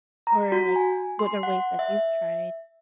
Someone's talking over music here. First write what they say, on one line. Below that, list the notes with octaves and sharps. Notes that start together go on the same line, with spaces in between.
or, like, what are ways that you've tried
A#5
F#4
G#5
C6
F#5
E5